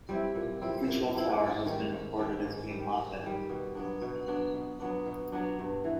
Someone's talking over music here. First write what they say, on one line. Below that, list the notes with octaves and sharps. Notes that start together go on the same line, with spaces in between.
The control tower has been recorded as being haunted.
G3 C4 E4
A#2
G3 C4 E4
A#2
G3 C4 E4
G#2
D#3 G3
G#2
D#3 G3
G#2
D#3 G3
G#2
D#3 G3
B2
F#3 B3 D4
B2
F#3 B3 D4
B2
F#3 B3 D4
B2
F#3 B3 D4
G2
E3